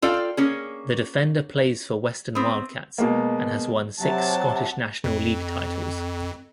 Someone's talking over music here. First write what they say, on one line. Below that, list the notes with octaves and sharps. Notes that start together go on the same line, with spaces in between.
The defender plays for Western Wildcats, and has won six Scottish National League titles.
F4 A4 D5 F5 G5
A#3 C#4 G#4
B3 C4
B2 G#3 A#3
C3 F#3 F#5 A5
F2